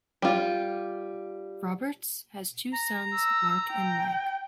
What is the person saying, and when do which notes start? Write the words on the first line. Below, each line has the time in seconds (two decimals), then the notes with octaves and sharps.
Roberts has two sons, Mark and Mike.
0.22 G3 F4
2.73 A#5
3.13 E6
3.71 G5